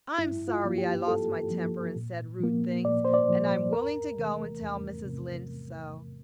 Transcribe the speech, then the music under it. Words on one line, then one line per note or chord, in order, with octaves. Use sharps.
"I'm sorry I lost my temper and said rude things, and I'm willing to go and tell Mrs. Lynde so."
G2 E4
F4
F3 A#3
G4
G2 A4
F3 A#3
A#2
F3 A#3
A#2 D5
C5
D5
F3 A#3
E2 A#4
C3 E3 A3
E2
C3